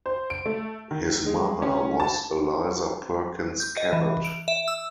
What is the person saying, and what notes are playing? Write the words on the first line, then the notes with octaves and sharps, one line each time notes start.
His mother was Eliza Perkins Cabot.
C5
D7
A3
D#3
G#3
C#4
A5
G6
D#5
E3
D7
E5
E6